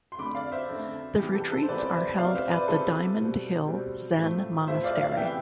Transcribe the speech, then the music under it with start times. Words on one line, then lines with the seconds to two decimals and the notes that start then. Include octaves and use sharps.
The retreats are held at the Diamond Hill Zen Monastery.
0.12 C6
0.18 F2 D3 A3 B5 D6
0.35 D5 F5
0.52 C5 E5
0.68 F2 D3 A3
1.18 C3 E3 G3 B3 G4
1.35 A4
1.52 A4
1.63 C5
1.68 C3 E3 G3 B3 B4 D5
1.79 C5
1.86 D5
1.93 C5 E5
2.18 C3 F3 B3 D5 F5
2.35 C5 E5
2.45 C5
2.51 B4 D5
2.68 C3 F3 B3 A4 C5
3.18 B2 G3 C4
3.68 B2 G3 C4
4.17 A2 F3 A3 C4
4.67 A2 F3 A3 C4 C5 E5
4.84 D5 F5
5.01 D5 F5
5.11 F5
5.17 C3 E3 B3 E5 G5